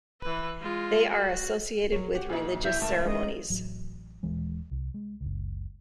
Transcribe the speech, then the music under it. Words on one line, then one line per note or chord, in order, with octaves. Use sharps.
They are associated with religious ceremonies.
E3 B4
G#3 F4
F#4
F#3 A#4 C#5
F#4 G4 F#5
A#1 D#4 G#4 G#5
A3 E4 E5 G6
C#2 A2 A#4 A5
G#3 C#4 D#4 D#5
A1 F#3
D#1 E3 G#3
C2
G#3
F#1 C#2